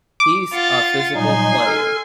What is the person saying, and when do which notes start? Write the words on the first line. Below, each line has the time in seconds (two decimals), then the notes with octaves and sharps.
He's a physical player.
0.20 D6
0.53 F4 F#5 A6
1.15 A#2 F#3 G3 D#4 G#5 C6
1.65 A4 F6